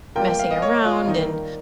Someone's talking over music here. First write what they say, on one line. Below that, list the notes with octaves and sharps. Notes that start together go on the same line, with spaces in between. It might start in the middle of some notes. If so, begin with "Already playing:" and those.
messing around and
G3 A#3 F4 A#4 G5
G5
F5
D#5
C#5
F4
D#3 G3 A#3 D#4